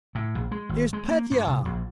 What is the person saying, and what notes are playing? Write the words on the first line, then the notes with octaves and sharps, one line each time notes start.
Here is Petya!
A2
A#1
G#3
G#1
G#3
A#3
G2
C2
A#1